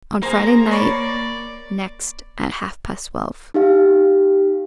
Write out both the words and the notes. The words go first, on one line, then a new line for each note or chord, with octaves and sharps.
'On Friday night, next, at half-past twelve.'
A#3 G#4 C5 A#5
C#5 D5 B5 C#6
D#4 G4 F5